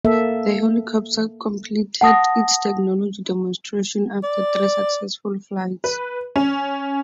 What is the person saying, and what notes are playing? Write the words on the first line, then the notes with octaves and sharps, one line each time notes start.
The helicopter completed its technology demonstration after three successful flights.
A#3 A4 E5
F#5 A5 D#6 A#6
D5
B4
C#4